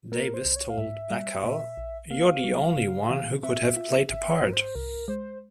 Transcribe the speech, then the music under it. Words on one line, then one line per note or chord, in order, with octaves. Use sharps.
Davis told Bacall, You're the only one who could have played the part.
A#3 A#4
C5
C2
C#5
F5
G#2 E5
G3
A#2
A#1
A#3 F5
G3
C#3
E3
C4 E5
F4
G#1 E5
C#5
G#2
A#4
C5
C2 A#4
G#3 C5